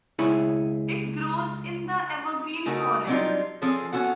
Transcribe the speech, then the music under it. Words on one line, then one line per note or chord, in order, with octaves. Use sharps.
It grows in the evergreen forests.
C#2 E4 G#4 C#5
C#3 A3 D#4 F#4 A#4
F#3 G3 C4 D4 D#4 F4
F3 C4 C#4 G#4 A4
B3 C#4 F#4 A4 F#5